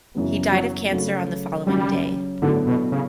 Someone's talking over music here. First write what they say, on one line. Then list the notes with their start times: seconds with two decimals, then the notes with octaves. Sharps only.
He died of cancer on the following day.
0.15 F#2 C#3 E3 B3
0.52 F#3
0.91 C#3 F#3 A3 C#4 F#4
1.67 C#3 F#3 G3 C#4
2.42 A2 D3 F#3 B3 D4 A4
2.67 B2
2.92 C#3